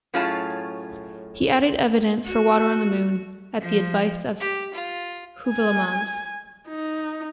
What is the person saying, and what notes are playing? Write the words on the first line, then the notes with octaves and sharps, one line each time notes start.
He added evidence for water on the moon at the advice of Heuvelmans.
F#2 A2 C#4 F4 G#4 A5
F#4
F3
G4
F4
G#5
D#4